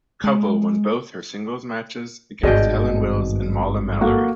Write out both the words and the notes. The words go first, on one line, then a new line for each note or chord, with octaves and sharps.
Covell won both her singles matches against Helen Wills and Molla Mallory.
G#3
G#1 G2 B2 G#4 D5 D#5 G5
A#3 F#4 A4